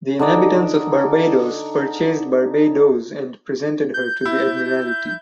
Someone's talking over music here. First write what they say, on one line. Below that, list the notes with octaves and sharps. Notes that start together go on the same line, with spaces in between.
The inhabitants of Barbados purchased "Barbadoes" and presented her to the Admiralty.
D3 D#4 D5
G6
E4